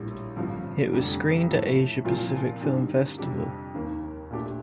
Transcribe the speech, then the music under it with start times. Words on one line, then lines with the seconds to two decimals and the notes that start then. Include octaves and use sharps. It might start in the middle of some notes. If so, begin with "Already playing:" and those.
It was screened at Asia Pacific Film Festival.
Already playing: A#1 A2 G3
0.36 A1 G2 D3 F3 C4
0.93 F1 F2 D3 G3
1.49 A2 F3 A3
2.05 C2 A#2 F3 C4 F4
2.61 G2 D3 G3 C4 D#4
3.18 F2 C3 G3 D4 G4
3.74 D#2 D#3 A#3
4.31 A#2 A3 D4 G4